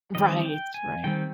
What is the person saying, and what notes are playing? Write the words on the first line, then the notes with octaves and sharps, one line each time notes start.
Right, right.
D#3 G3 C4 D#5
G5
G#5
D#3 G3 C4 G5